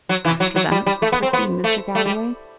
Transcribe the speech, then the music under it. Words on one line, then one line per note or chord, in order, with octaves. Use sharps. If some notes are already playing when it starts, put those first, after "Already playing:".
"After that?" pursued Mr. Galloway.
F#3
E3
F#3
F#3
G3
G3
A3
B3
C4
B3
A3
A3
G3